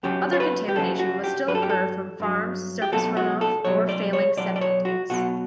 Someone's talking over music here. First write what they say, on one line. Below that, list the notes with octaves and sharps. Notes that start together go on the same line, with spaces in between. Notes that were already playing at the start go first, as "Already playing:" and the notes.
Other contamination would still occur from farms, surface runoff, or failing septic tanks.
F#2 C#3 F#3 G4
C#5
B4
G4
F#2 C#3 F#3 A4
F#4
G4
G2 F#3 B4
A4
G4
A4
G2 F#3
G4
C#2 B2 F#3 A4
F#4
A4
C#2 B2 F#3 C#5
D5
C#5
B1 B2 F#3 D5
D5
C#5
F#4
B1 B2 F#3 F#4